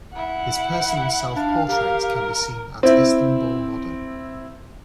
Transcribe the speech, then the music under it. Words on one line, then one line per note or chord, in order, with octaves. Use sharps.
His personal self-portrait can be seen at Istanbul Modern.
E4 F#5
D4 F5
G4 A#4
C4 E4